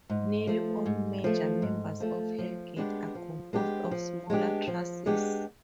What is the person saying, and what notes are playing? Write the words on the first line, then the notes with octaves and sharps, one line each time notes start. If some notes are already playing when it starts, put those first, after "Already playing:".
Nearly all major members of Hell Gate are composed of smaller trusses.
G#2
F3 A3
G#2
F3 A3
G#2
F3 A3
F3
G#3 B3 D4 G4
F3
G#3 B3 D4 G4
F3
G#3 B3 D4 G4
F3
G#3 B3 D4 G4